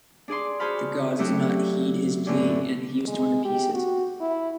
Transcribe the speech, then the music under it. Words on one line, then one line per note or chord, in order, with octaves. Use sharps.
The gods did not heed his plea, and he was torn to pieces.
D4 G#4 D5 C6
F#4 G#4 C5 A5 B5 F6
F#3 A3 D4 E4 F#4 G4
F#2 A2 D3 B3 C#4 D4
G#3
G4
F#4
E4